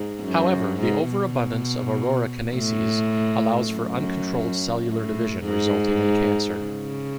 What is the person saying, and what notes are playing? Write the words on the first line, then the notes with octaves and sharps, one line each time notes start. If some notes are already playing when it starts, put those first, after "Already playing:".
However, the overabundance of Aurora kinases allows for uncontrolled cellular division, resulting in cancer.
Already playing: G#2
F#2
G#2
B2
A2
F#2
A2
G#2
C#3